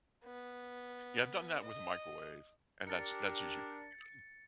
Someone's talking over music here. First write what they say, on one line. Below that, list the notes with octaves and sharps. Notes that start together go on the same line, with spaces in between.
Yeah, I've done that with a microwave, and that's that's usually pretty good.
B3
D#5
D4 G4 A#4 A6 C#7